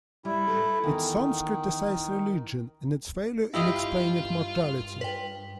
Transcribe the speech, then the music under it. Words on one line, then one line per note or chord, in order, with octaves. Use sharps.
Its songs criticise religion and its failure in explaining mortality.
G3 E4
A4 B4
E2 D#3
G2 E4 F4 G4 D#5
B4 G5